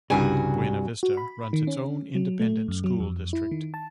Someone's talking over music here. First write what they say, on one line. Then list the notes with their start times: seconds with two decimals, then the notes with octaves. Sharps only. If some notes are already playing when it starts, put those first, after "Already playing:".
Buena Vista runs its own independent school district.
0.10 C2 G2 C#3 G3 F#4 G#5
1.03 F#4
1.17 B5
1.53 D#3
1.67 C#4
2.15 F#3
2.39 A3
2.68 F#2
2.84 F#3
3.00 F2
3.33 E4
3.51 D#3
3.74 A5